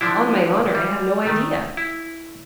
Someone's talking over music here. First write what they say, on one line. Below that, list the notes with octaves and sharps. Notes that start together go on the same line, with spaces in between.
"On my honor, I have no idea."
D3 F3 D4 E4
G3
D#3 A3
E4